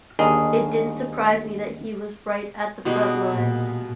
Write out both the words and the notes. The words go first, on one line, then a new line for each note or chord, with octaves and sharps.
It didn't surprise me that he was right at the front lines.
G1 D#2 D4 G#4 A#4 D#5
B2 G3 G#3
A#2